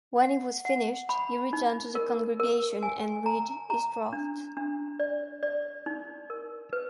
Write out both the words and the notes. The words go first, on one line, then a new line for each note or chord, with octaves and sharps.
When he was finished, he returned to the congregation and read his draft.
F#5
F#5
B5
D#4
A#4
A#4
G#5
A#5
A#5
D4
D4
D5
D5
D#4
A#4
B4